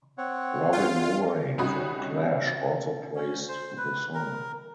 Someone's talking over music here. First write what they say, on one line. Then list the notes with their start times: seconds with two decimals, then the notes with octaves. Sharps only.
Robin Murray from "Clash" also praised the song.
0.18 C4 C#5 F#5
0.73 F4
1.58 C2 C#4 D#4 F#4 B5 D#6
3.16 C#4
3.48 C5
3.77 B4
4.14 A#4